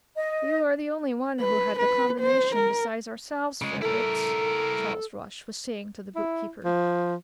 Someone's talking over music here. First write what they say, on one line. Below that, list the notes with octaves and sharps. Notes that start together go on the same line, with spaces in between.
"You are the only one who had the combination besides ourselves, Fredericks," Charles Rush was saying to the bookkeeper.
D#5
B4
B4
C5
A#4
C#3 G#3
E4 A4 A#4
E4
F3